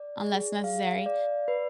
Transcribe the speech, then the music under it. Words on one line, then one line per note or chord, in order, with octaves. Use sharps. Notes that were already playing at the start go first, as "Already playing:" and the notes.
unless necessary,
Already playing: D5
G#4
F5
D5
B4